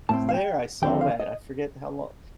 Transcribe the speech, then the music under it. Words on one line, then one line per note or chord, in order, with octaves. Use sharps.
was there, I saw that, I forget how lo
A2 A3 C4 A5
F5
G5
D#2 D3 F3 C4 G5
F5
D#5